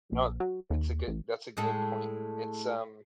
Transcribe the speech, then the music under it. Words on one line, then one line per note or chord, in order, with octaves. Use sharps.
No. It's a good that's a good point. It's, um,
A#1
F#3
D#2
A1
A2 G#3 A4